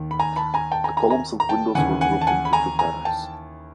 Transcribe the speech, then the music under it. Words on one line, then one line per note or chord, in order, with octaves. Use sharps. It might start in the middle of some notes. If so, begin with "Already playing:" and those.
The columns of windows are grouped into two patterns.
Already playing: D#2 D#3
B5
G#5 A#5
A5 B5
G#5 A#5
G5 A5
G#5 A#5
G#5 A#5
G#5 A#5
A#5
G5 A5
D#2 C#3 E3 F#5 G#5
F#5 G#5
A5
F#5 G#5
B5
G#5 A#5
G#5 A#5
G5 A5